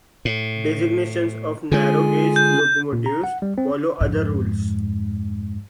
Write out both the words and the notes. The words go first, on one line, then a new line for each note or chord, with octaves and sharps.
Designations of narrow gauge locomotives follow other rules.
A2
D3 G#3 F4 G#4 G#5
G6
A#2
A#5
F#5
G3
C4
F2 G#2